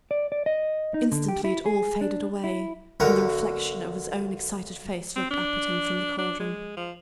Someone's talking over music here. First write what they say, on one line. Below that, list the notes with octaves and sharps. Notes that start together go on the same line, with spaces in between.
Instantly it all faded away and the reflection of his own excited face looked up at him from the caldron.
D5
D5
D#5
D#4
D3
G4
E4
G#4
D4
E4
B1 D3 F#4 A#4
C4
D4
D4
G#3
F3